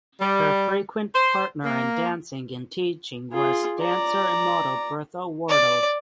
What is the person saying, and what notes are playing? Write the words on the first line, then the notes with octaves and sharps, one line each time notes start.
Her frequent partner in dancing and teaching was dancer and model Bertha Wardell.
G3
C5
A#3
F4 G#4
D5 A#5
D5